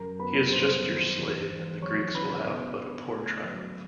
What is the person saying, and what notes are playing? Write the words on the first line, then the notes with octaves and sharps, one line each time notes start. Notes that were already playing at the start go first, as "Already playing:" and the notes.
He is just your slave and the Greeks will have but a poor triumph.
Already playing: F#2 A#4 A#5
B3 B4 B5
G3 C5 C6
D#3
E2
E2
F#3 C#5 C#6
C#3 B4 B5
B2
D4
A3
F#3